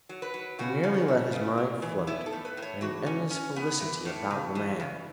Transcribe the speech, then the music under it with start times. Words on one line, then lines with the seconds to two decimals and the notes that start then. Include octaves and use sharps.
He merely let his mind float in an endless felicity about the man.
0.09 F#3
0.22 B4
0.34 F#3
0.59 C#3 F#4
0.83 C#3
1.08 A3
1.33 C#3
1.58 C#3
1.82 E3
2.07 B3 E4
2.26 A4
2.33 A2
2.45 B4
2.57 A2
2.62 C#5
2.81 E3 F#4
3.06 C#4
3.31 C#4
3.56 B3
3.80 E3
4.05 A2
4.30 C#3
4.55 E3
4.80 C#3